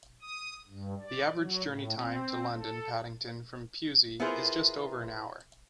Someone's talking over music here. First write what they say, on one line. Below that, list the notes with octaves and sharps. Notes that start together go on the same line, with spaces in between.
The average journey time to London Paddington from Pewsey is just over an hour.
D#6
G2
D5
F#3
A2
C4
A4
B3 E4 F4 G#4 A#4 C5